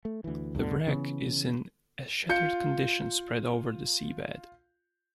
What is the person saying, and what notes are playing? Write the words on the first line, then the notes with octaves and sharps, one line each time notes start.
The wreck is in a shattered condition spread over the sea bed.
A3
D2 E3
D2 G2 B2 D3
C#3 E3 B3
F4 G6 C#7